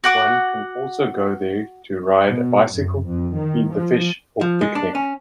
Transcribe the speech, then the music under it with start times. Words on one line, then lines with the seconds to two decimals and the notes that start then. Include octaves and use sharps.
One can also go there to ride a bicycle, feed the fish or picnic.
0.04 F#4 F#5 D6
2.29 B2
2.74 F#2
3.07 F2
3.36 D#3
3.73 F3
4.41 F3
4.61 G#3
4.75 D4
4.95 C#4